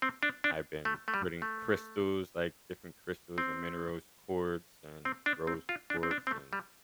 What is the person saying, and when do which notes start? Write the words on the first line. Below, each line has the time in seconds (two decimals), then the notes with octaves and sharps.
I've been putting crystals, like, different crystals and minerals, quartz, and rose quartz, and,
0.02 C4
0.23 D4
0.44 D4
0.85 A3
1.08 A3
1.14 G3
1.42 A3
3.38 C4
5.05 C4
5.26 D4
5.47 C4
5.69 F4
5.90 D4
6.03 C4
6.11 D4
6.27 C4
6.31 A3
6.53 G3